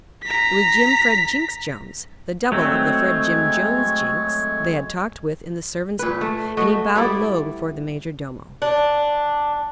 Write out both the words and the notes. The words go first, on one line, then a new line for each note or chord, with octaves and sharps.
It was Jimfred Jinksjones, the double of the Fredjim Jonesjinks they had talked with in the servants' hall, and he bowed low before the Majordomo.
A#5 B6
F#3 G#3 A3 C4 C#5
A#2 B4
A3
A3 F#4 D#5
G3 B3 E4 D5
D4